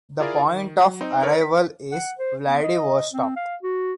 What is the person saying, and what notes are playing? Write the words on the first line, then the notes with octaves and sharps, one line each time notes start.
The point of arrival is Vladivostok.
E4 F4 G#4 A#4 D5
D#3
F#3
C4 D#4
A#4 B4 C#5 D5
B6
F#5
C5
B3
D#5
C4
F5
F#4